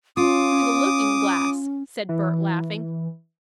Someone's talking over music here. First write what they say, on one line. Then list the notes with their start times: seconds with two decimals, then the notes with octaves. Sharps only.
"Through the looking glass!" said Bert, laughing.
0.17 C#4 F4 D6 D#6
2.09 E3